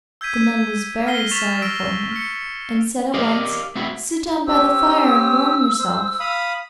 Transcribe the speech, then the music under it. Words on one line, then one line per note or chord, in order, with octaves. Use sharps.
The nun was very sorry for him, and said at once: 'Sit down by the fire and warm yourself.'
E6 G6 G#6 B6 D#7
F6 A#6 C7 G7
C#6 F6 A6 B6 E7 F7
E6 F6 A#6 D7
F6 C#7
G4 A#4 D5 D#5 F5
A3 B3 C4 E4 F#4
C#4 G4 C5 E6
C5
F5 B5 D#6